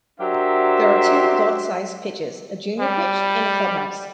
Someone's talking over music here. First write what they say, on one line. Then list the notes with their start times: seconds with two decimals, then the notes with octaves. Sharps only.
There are two adult sized pitches, a junior pitch and a clubhouse.
0.19 F#3 D4 G4 A#4 C5 E5
2.80 G3